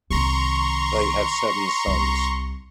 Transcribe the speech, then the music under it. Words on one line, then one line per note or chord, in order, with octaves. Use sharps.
They had seven sons.
C2 D#3 A#5 C6 C#6
C2